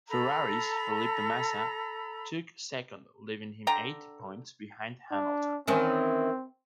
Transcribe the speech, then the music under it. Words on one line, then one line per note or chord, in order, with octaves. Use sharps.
Ferrari's Felipe Massa took second leaving him eight points behind Hamilton.
A4 A#5 B5
D3 G5 A#5
D4
D#3 E3 C4 C#4